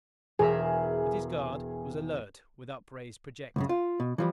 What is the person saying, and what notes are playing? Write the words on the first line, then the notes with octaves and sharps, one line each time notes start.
But his guard was alert with upraised projector.
E1 G#4 A#4 E5
C#2 F#2 C#3
F4
B2
E3 F3 G3